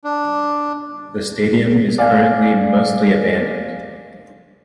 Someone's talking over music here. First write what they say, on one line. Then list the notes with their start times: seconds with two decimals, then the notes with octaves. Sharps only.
The stadium is currently mostly abandoned.
0.04 D4
1.98 D5 F5 G#5